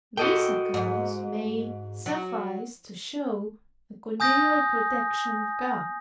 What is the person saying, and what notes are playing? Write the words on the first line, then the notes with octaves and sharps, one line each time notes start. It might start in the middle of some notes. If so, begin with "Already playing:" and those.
These accounts may suffice to show the continual protection of God.
F#4 A4 D#5 G5
G#2
F#3
G#5 D#6 G6 A#6